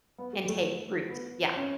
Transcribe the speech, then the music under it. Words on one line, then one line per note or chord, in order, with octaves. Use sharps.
and take root. Yeah.
B3
A3
A3
B3
C#4